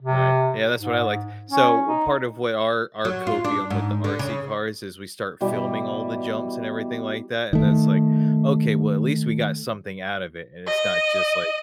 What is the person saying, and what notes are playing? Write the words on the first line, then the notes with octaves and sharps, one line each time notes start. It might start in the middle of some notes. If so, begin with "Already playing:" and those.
Right? Yeah, that's what I liked. So, what part of where our our copium with the RC cars is we start filming all the jumps, and everything like that, and then it's like, "Okay, well, at least we got something out of it," and it's not just, like,
C3
G#2
C#4
D#4
F#3
F4
D4
G#2
D3
C#3
B2 E3 G3
D#3 A3
D#5